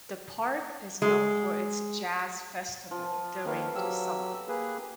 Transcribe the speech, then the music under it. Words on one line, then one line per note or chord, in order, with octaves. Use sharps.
The park is known for its jazz festival during the summer.
G#3
F3
D#3 F3 A#3 A4 B4 F5
F#3 G4 E6
A#3 G#4 B4